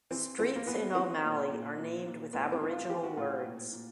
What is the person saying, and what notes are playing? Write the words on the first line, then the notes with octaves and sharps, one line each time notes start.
Streets in O'Malley are named with Aboriginal words.
E3 C4
E3 C4
A#3
E3 B3
E3 C4
A#2
A#2
A#2
A#2
A2 B3
C4
E3
F4
E3 G4
F#4
A2 F4
A#2
A#2